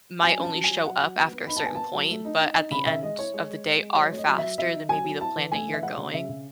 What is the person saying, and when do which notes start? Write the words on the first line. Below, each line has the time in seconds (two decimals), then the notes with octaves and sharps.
might only show up after a certain point, but at the end of the day are faster than maybe the plan that you're going.
0.22 F#3 G#5
0.38 C#4
0.44 A5
0.54 F#3
0.64 G#5
0.69 F#3
0.85 F#3 F#5
1.01 F#3
1.16 B3
1.31 B3
1.47 D#4 B5
1.57 A5
1.63 B3 G#5
1.75 B3 A5
1.94 F#3
2.10 A3
2.25 D#4
2.41 D#4
2.56 D#4
2.71 C#3 B5
2.86 C#3 E5
3.02 G#3 D#5
3.18 E4 C#5
3.34 G#3
3.50 G#3
3.65 G#3
3.81 G#3
3.96 F#3 C#5
4.11 A3 C#5
4.17 D#5
4.27 F#3
4.38 F#3 E5
4.58 F#3 E5
4.73 D#4
4.89 F#3 G#5
5.04 F#3
5.20 E4 A5
5.36 E3
5.52 A3 G#5
5.68 E3
5.73 E5
5.83 G#3 F#5
5.97 C#3
6.13 C#3 E5
6.29 C#3